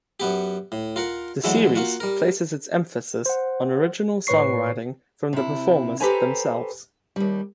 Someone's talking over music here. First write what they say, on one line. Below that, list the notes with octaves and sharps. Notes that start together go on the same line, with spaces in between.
The series places its emphasis on original songwriting from the performers themselves.
F#2 B3 G4
A2
F4 A#4 F#5
D3 E3 F#3 G#3 A3
A#3 F4 F#4 F#5
G3 A#4
C5 F#5
A2 B4 C#5 C#6 C7
C3 E4
G4 A4 B4 C5 G#5 A#5
D#2 G3